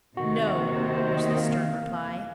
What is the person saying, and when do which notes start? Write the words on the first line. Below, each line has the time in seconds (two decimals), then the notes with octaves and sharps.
"No," was the stern reply.
0.17 C3 D#3 A#3 F#4
0.47 F#4
0.76 C5
0.97 C5
1.17 D#5
1.30 D#5
1.37 F5
1.53 F5